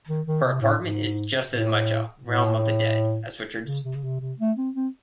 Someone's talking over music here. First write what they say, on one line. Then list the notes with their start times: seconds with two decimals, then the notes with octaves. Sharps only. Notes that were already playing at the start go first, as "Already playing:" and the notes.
Her apartment is just as much a "realm of the dead" as Richard's.
0.09 D#3
0.27 D#3
0.44 C3
0.62 A2
0.81 G#2
1.52 A2
2.24 A2
3.67 C#3
3.85 C3
3.95 C#3
4.04 C3
4.21 C3
4.39 A3
4.57 C4
4.75 C4